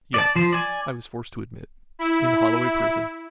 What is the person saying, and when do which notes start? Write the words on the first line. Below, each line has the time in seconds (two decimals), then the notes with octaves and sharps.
"Yes," I was forced to admit; "in Holloway prison."
0.14 D5 A5
0.36 F3 C5
0.53 D5 G#5
1.99 E4